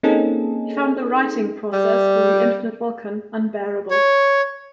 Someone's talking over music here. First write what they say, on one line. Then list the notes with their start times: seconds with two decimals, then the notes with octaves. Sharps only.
He found the writing process for "The Infinite Vulcan" "unbearable".
0.03 A#3 C4 C#4 D#4 G#4 A4
1.73 G3
3.91 C#5